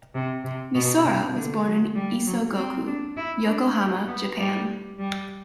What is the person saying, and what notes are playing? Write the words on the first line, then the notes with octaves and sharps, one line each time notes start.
Misora was born in Isogo-ku, Yokohama, Japan.
C3
C3
B2
C3
D3
F#3
G3
F#3
C4
D4
E4
D4
B3
G3
G3